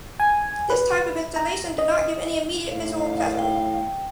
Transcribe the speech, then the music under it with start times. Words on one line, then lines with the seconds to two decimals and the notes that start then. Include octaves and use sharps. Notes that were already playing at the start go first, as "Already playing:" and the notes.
This type of installation did not give any immediate visual pleasure.
0.20 G#5
0.70 B4
1.36 A#5
1.79 D#5
2.70 A2 F5
3.38 G5